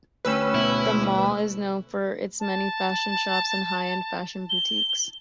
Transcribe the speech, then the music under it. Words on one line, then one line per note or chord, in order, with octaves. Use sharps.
The mall is known for its many fashion shops and high-end fashion boutiques.
D2 A3 C#4 B4 G5 E6
B2 E4
A5
G7